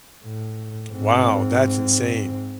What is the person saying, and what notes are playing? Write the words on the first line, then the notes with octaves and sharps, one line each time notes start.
Wow, that's insane.
A2
G#2 C4